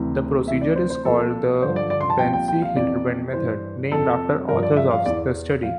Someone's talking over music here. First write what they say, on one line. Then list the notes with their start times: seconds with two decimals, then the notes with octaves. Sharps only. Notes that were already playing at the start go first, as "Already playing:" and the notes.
The procedure is called the Benesi-Hildebrand method, named after the authors of the study.
Already playing: D2 C3 E3
0.47 D2 C3 E3 E5
0.61 D5
0.76 C5
0.90 C5
1.05 C2 A#2 F3 A4
1.62 G2 D3 F3 C5
1.76 D5
1.90 D5
2.01 C6
2.10 A5
2.19 C2 A#2 F3 G5
2.33 G5
2.48 G5
2.62 F5
2.76 F2 C3 E3 D5
3.33 G2 E3 C5
3.91 F2 C3 F3 A4
4.49 G2 F3 A#4
4.63 D5
4.77 E5
4.91 F5
5.06 E2 E3 D5
5.63 F3 F5